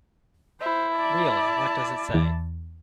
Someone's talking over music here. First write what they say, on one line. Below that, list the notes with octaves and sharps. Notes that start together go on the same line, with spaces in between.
Really, what does it say?
E4 C5
D5 A5
E2